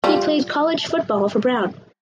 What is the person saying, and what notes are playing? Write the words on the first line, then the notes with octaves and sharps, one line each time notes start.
He played college football for Brown.
G3 F4